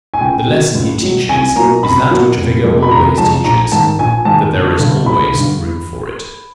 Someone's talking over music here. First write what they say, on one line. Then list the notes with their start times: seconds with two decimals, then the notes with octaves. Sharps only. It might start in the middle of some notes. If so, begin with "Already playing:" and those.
The lesson he teaches is that which vigor always teaches--that there is always room for it.
0.14 G#5
0.21 C#2 G5
0.48 B2 F#3
0.75 C#2
1.02 B2 F#3
1.29 C2 G#5
1.56 B2 F#3 A#3 A#5
1.83 C2 B5
2.10 B2 F#3 A#3
2.37 F1
2.64 F2 C3 F3 G#3
2.82 B5
2.91 F1 A#5
3.18 F2 C3 F3 G#3 A5
3.44 A#1 A#5
3.72 G#2 D#3 A5
3.99 A#1 G#5
4.25 G#2 D#3 A5
4.53 G1
4.79 G2 D3
5.06 G1 B5
5.34 G2 D3